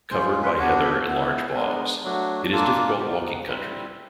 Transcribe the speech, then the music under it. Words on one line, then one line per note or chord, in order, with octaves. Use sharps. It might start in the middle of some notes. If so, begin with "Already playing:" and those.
Covered by heather and large bogs, it is difficult walking country.
G#3 C#4 F4 C5
B4
C5
B3 D4 F#4 C#5
B4
B3 E4
G#3 B3 D4 A#4
F#3 A3 D4 F#4
A#3 D4 F4 A4
B3 D#4 F#4 G4
F#4
G3 C4 E4 B4